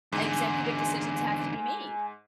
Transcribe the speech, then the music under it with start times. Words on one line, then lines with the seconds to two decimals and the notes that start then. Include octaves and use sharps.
executive decisions have to be made,
0.12 E2 G#2 D3 G#5